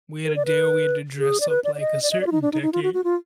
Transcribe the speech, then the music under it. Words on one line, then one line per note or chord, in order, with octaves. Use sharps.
we had a day where we had to dress up like a certain decade.
A#4
D5
B4
G#4
D5
B4
D5
D5
D#5
D5
D#5
D5
F4
D#4
D4
D#4
D#4
F4
F#4
F#4
F4